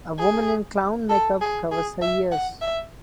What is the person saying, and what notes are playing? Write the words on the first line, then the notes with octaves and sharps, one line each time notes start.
A woman in clown makeup covers her ears.
G#4
A4
G#4
G#4
E5
F#5
E5